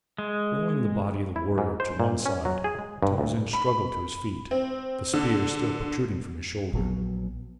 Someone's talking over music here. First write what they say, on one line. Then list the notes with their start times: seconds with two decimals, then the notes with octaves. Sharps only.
Rolling the body of the warrior to one side Tarzan struggled to his feet, the spear still protruding from his shoulder.
0.18 G#3
1.36 E4
1.58 G#2
1.80 C5
2.00 A#2
2.26 C#4
2.45 F#3
2.64 G#4
2.79 G#3
3.03 G2
3.18 D2
3.53 B5
4.51 C4
5.14 D3
6.74 A#1 F#3 B3